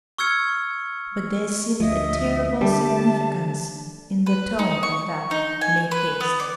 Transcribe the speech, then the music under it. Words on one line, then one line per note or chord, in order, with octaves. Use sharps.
But there seemed a terrible significance in the tone of that "make haste."
C#6 E6 F6 G#6 C#7
D2 F3 D#5 E5
D3 G3 A5
B4
D#4
C#6
D#4
G#5
B4
B3
D5